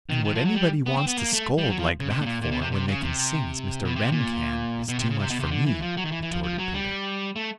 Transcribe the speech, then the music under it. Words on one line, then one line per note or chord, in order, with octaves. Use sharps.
"And what anybody wants to scold like that for when they can sing as Mr. Wren can, is too much for me," retorted Peter.
D#3
D#3
F3
F#3
G3
B3
C4
B3
A#3
A3
G3
F#3
F3
C#3
C3
A2
A#2
A#2
B2
C3
C3
C#3
C3
B2
C3
A#2
B2
C3
C#3
C3
B2
C3
D3
E3
F3
F#3
D#3
E3
E3
F3
F3
F#3
G3
A3